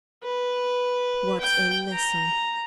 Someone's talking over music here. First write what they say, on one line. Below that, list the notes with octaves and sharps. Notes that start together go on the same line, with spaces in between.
What a lesson!
B4
G5
A#5